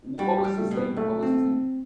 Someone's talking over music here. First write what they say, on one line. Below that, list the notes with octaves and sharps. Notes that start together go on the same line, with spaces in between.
W what was his name? What was his name?
G3 F#4
G4
G3
A3
B2
B3
B1 A3
C4